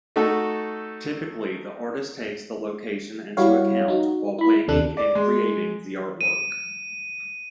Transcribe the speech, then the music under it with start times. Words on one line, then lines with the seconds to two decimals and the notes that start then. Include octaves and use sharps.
Typically, the artist takes the location into account while planning and creating the artwork.
0.16 A3 D#4 F#4 A4
3.37 G3 E4 F#4 C#5 F5
3.88 D#4 F#4
4.39 E4 B5
4.68 D#2 C3 D4 A4 F#6
4.97 D5
5.15 G#3
6.21 D#7